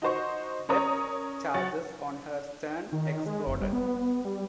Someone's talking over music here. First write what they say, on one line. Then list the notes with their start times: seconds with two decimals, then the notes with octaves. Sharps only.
Depth charges on her stern exploded.
0.02 D#4 F#4 C5 C#6
0.69 C#4 A#4 C#5 A#5 D#6
1.54 F#3 C#5 F#5 A6
2.92 D#3
3.26 G#3
3.47 F#1
3.61 G3
3.73 B3
4.25 G3